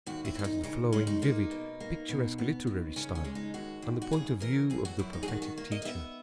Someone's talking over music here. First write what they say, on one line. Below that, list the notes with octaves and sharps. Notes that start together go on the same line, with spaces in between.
It has the flowing, vivid, picturesque, literary style and the point of view of the prophetic teacher.
D#2 F#4
E4
D#2 C#4
D#4
C#3 D#4
G#3 C#4
D#4
A#3 D#4
B2
A#3
B2
B3
D#2
C#3 C#4
C#4
G#3
D#4
D#2 F#4
D#2
F#4
C#3 G#4
E3 A#4
F#2 G#4
F#4
F#2 E4
D#4
G#4
D#3 F#4
F#4
A#3
D#5
D#5
B3 E5